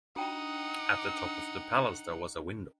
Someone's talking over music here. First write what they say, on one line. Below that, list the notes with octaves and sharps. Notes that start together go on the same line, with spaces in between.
At the top of the palace there was a window.
D4 D#4 F#5 G5 D#6